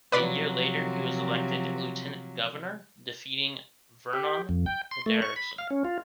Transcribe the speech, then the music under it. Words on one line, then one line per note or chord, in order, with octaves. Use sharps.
A year later, he was elected lieutenant-governor, defeating Vernon Derrickson.
C3 F3 F#3 B4 D5 B5
G4
F2
G5
C6
A3
C#6
B5
F5
C#4
F4